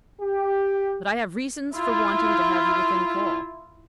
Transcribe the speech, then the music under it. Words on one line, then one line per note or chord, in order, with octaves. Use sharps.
But I have reasons for wanting to have you within call.
G4
E4 F4